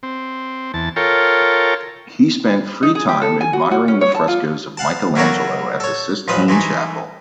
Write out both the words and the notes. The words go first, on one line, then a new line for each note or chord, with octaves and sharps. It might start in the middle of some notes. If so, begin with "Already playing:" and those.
He spent free time admiring the frescoes of Michelangelo at the Sistine Chapel.
C4
E2 A5
F4 A4 A#4 C#5 G5
D#4
G#4
G4
A4
G#5
F#4
F#4
C#4
C#5
A5
F4
F5 F#5 A5
F#3 A3 A#3 F#4 A4 C#5
A4 C#5
A1 F3 B4 D#6
E3 G#3 A3 D#4